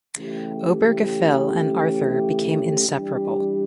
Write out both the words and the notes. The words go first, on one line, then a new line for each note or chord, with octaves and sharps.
Obergefell and Arthur became inseparable.
C#3 E3 A3 C#4 G4
E3 G3 D4 G4